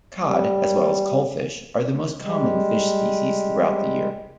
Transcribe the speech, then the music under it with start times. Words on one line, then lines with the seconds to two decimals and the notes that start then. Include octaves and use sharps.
Cod, as well as coalfish, are the most common fish species throughout the year.
0.19 G3
2.20 G3 G#3